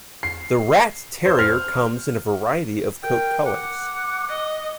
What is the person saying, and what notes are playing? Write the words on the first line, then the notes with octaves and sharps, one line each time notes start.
The Rat Terrier comes in a variety of coat colors.
C7
C5
F6
A#4 G5
F#5 D6
D#5